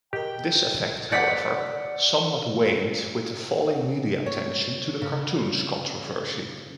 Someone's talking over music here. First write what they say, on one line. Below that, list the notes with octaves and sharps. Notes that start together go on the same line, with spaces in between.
This effect, however, somewhat waned with the falling media attention to the cartoons controversy.
G4 A#4 D#5 G5
D5 F#5 G6 B6
C#5
C#3